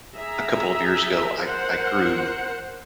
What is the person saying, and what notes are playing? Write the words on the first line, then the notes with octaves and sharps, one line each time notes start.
a couple of years ago, I I grew
G#4 E5 A#5
A#4 C5 F#5